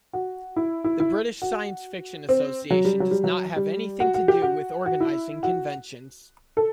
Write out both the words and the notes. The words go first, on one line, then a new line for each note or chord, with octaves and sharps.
The British Science Fiction Association does not have anything to do with organising conventions.
F#4
E4
E4
E4
F#4
C4
F#3
G3
F#3
G3
F#3
G3
F#4
F#4
G4
F#4
F#4
E4
F#4
A4